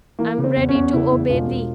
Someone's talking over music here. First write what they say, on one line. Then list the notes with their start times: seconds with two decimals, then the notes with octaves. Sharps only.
I am ready to obey thee.
0.19 E3 A#3
0.38 C#3
0.44 C4
0.56 E2
0.69 C#4
0.75 E2
0.93 C#3 E4
1.12 E2
1.29 E1 F4
1.48 E1